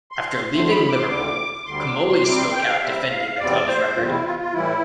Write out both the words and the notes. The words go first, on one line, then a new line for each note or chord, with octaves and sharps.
After leaving Liverpool, Comolli spoke out defending the club's record.
C6
C6
E2 D3 A3 C4 C6
B5
D6
C6
D2 D3 G3 D6
D6
D2 D3 G3 C6
D6
C6
C6
C3 G3 C4 D6
C6
G5
F5
C3 G3 C4 E5
F5
E2 B2 G3 C4 D5
C5
E2 B2 G3 C4 F4
E4
F4
F4
A2 E3 G3 E4